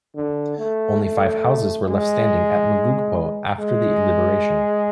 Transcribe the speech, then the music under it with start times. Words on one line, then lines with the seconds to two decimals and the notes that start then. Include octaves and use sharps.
Only five houses were left standing at Magugpo after the liberation.
0.15 D3
0.58 A3
1.01 A3
1.87 G#3
3.60 G#3